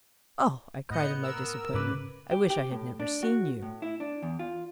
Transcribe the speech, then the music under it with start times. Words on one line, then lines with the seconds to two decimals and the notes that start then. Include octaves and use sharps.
"Oh," I cried in my disappointment, "I wish I had never seen you."
0.90 A2 B3 D#5 G6 C#7
1.21 A#4 E6
1.74 G#2 C#3 C#4 B4 D6
2.31 G4
2.50 G4
2.71 A2
3.00 D4
3.23 F#4
3.62 A2
3.82 E4
4.00 D4
4.23 E2
4.39 F4